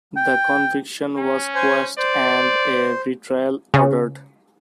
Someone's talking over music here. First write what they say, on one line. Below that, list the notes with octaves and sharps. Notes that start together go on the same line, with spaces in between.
The conviction was quashed and a retrial ordered.
G5
C#4
C5 G#5
C5 D5
C#3